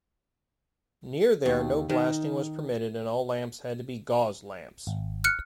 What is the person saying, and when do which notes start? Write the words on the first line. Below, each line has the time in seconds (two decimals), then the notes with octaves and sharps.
Near there no blasting was permitted and all lamps had to be "gauze lamps".
1.46 D#2
1.89 D#3
4.87 G#1
5.24 F6 F#6 C#7